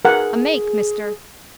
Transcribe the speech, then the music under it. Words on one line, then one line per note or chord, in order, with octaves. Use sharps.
A make, mister.
G#4 A#4 F#5